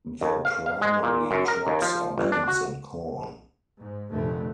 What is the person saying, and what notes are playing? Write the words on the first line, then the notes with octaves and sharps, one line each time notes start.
The primary crops are beans and corn.
D#2
F5
F5
G#3
A#2
F#2
A#4
D#2
F3
G1
D4
F#4
G#2
F1 A#2 D3 A3